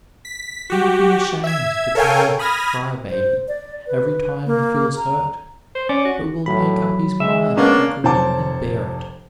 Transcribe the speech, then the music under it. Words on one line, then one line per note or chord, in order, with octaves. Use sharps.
He will be ashamed to play "cry baby" every time he feels hurt, but will make up his mind to grin and bear it.
B6
F#4 G4
E5 G#6
A4 A#4 C#5 F5 G5 G#5
B5 D#6 F6 G#6 A#6
C5
D5
B4
A#3
A#5
C5
C#4 D5
F#4
A2 F#3 B5
G#3 E5
A#3 B3 C#4 D4 D5
F1 C5 C#5 A5 D6